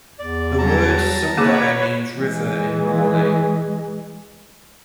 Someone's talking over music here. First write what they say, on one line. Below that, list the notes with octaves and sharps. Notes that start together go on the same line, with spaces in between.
The word Sungai means river in Malay.
E2 D5
F#3 G3 A5 A#5
A#3 G#4 B4 C#5 D6
E3 G#3